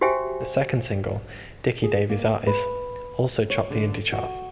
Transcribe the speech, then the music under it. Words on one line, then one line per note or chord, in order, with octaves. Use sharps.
The second single, "Dickie Davies Eyes", also topped the indie chart.
F#4 G4 C5 E5 G5 G#5
G#4
A#3
B4
C#5
D3
F#4